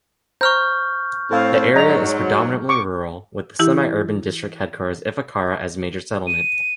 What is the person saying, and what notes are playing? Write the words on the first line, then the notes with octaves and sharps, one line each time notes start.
The area is predominantly rural with the semi-urban district headquarters Ifakara as major settlement.
C5 A#5 C#6 F6 G6
A2 C4 A4 F5
G#2 F#3 D5 D#5 A#5
C#6 D6
E3 E4 G4
D#7